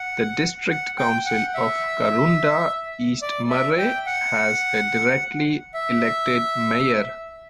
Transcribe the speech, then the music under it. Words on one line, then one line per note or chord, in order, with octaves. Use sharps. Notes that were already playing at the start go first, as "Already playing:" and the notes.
The District Council of Karoonda East Murray has a directly-elected mayor.
Already playing: F#5
F#5
G5
F#5
E5
D5
E5
G5
F#5
E5